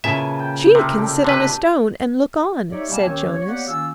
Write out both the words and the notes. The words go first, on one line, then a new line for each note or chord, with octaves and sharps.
She can sit on a stone and look on,' said Jonas.
A#2 C#3 B4 E5 A5
G5
C3 A#4 D#6
G4 A4 D5
C3 D4 B4
D#4 G4 C#5 D5 E5
B2 G3 A#3 C4 G#5 A5
D#2 D#3 C4 C#4 G4 C#5
C#5
A#3 B3 G4 C#5 D5 F#5
D#3 A#3 C#4 F4 F5 E6